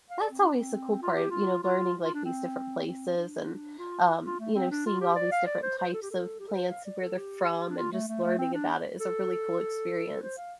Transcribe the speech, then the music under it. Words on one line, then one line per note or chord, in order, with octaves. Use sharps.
That's always the cool part, you know, learning, like, these different places, and um, you know, seeing all these different types of plants and where they're from, and just learning about it is a really cool experience.
F5
D5
C4
D4
C4
F4
G4
F4
F4
F4
D4
C4
C4
D4
F4
F4
A3
C4
D4
F4
G4
D5
F5
D5
C5
C5
A4
G4
A4
G4
A4
C5
F5
D5
A4
G4
D4
F4
A3
A3
A3
C4
D4
A4
C5
F5